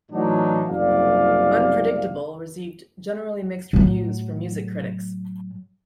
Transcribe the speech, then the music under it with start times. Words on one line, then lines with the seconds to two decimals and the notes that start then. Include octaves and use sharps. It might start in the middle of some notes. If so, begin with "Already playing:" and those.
"Unpredictable" received generally mixed reviews from music critics.
0.12 A2 E3 F#3 D4 D#4
0.69 F#1 C2 D5 F5
3.73 A2 F#3